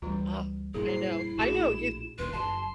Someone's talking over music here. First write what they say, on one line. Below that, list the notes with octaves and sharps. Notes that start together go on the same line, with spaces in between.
Oh, I know. I know you
D2 E3 G3 F4 A#5
F1 G2 A#2 E4 G#4
C5 C7
A#1 A2 F#4 G#4 E7
D1 D#2 A#2 B4 C6
F#1 A5 C6